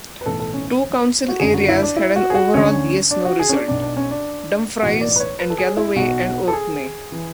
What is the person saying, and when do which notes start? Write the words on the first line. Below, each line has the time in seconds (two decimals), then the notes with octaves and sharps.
Two council areas had an overall "Yes-No" result - Dumfries and Galloway and Orkney.
0.21 B4
0.26 B1 A2 E3 A4
0.40 A4
0.53 C#4
1.28 F#4
1.40 F#1 F#2 D3 G#4
1.54 F#4
1.69 E4
1.82 D4
1.97 E4
2.16 F#4
2.30 G#4
2.34 F#4
2.54 D2 D3 C#4
3.11 D4
3.25 F#4
3.39 G#4
3.49 C#4
3.54 D4
3.68 B1 B2 D4
3.82 D4
3.97 C#4
4.11 D4
4.82 B1 A2 E3 F#4
5.01 D5
5.16 B4
5.20 C#5
5.39 B4
5.50 A4
5.58 G#4
5.77 E4
5.96 B1 B2 F#4
6.48 A4
6.53 G#4
7.12 E3